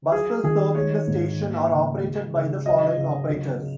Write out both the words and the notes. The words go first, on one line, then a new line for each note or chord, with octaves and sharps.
Buses serving the station are operated by the following operators.
F#3 G#4
D#3 G#4
G#3 C#5
G#2
A#3
C#3
G#3
C#3
F#3 D#5
C#3
F#3
C#3